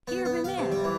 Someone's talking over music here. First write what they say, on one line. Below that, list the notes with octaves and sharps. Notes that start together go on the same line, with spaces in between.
Here be men!
B3
B3
F5
C3
G3
E3